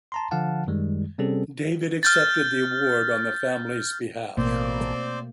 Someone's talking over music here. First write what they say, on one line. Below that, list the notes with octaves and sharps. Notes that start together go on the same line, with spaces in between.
David accepted the award on the family's behalf.
A5 A#5 C6
D3 F3 F5 F#5 A5
F#2 D#3 G3 G#3
C3 G3 C4 C#4 G#4 A4
F6 G6 A6
A1 B2 A3 A#3 C4 C5 D5